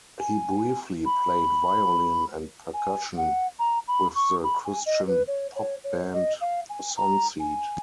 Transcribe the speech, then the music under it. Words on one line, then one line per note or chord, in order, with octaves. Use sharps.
He briefly played violin and percussion with the Christian pop band Sonseed.
G#5
B5
G#5
F#5
A#5
B5
C#6
B5
G#5
D#5
B4
C#5
C#5
C#5
D#5
F5
G#5
A#5
G#5